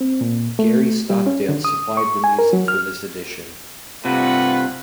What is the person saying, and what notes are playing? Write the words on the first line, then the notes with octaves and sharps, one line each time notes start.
Gary Stockdale supplied the music for this edition.
C4
A#2
A3
G3
C#4
D3
D#6
C#6
G#5
A#4
F#3
F6
G2 C3 A3 F4 B4 F#5